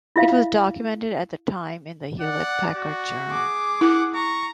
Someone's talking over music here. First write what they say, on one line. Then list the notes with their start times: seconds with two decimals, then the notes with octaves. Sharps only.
This was documented at the time in the Hewlett-Packard Journal.
0.16 E4 F4 E5 F5
2.21 D5 F#5
2.77 F#4
3.29 G#4 D6
3.81 E4 F#5
4.15 A#5 C#6